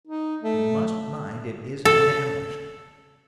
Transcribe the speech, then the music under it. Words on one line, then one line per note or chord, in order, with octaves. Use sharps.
We must mind it isn't an ambush.
D#4
A3
A4